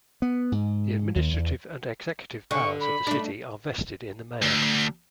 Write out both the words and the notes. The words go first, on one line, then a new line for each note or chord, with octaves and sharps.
The administrative and executive powers of the city are vested in the mayor.
B3
G#2
D#2
E2
D3 C#6
B5
A3 D4
D2